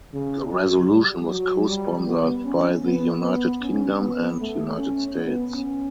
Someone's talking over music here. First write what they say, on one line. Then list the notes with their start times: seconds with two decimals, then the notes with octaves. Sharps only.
The resolution was co-sponsored by the United Kingdom and United States.
0.13 C#3
0.52 F#3
0.91 G3
1.29 F#3
1.68 G3
2.07 B3
2.45 C#4
2.84 B3
3.23 B3
3.61 C#4
4.00 B3
4.39 A3
4.78 C#4
5.17 B3
5.55 C#4